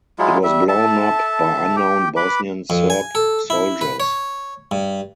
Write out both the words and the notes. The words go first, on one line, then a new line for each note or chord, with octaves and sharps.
It was blown up by unknown Bosnian Serb soldiers.
F#3 G#3 E4 F4
G3 E5
A4 E5 A5
G4 G5
B4 B5 D6
F2
G#5
A4
E4
B4
C#5
G2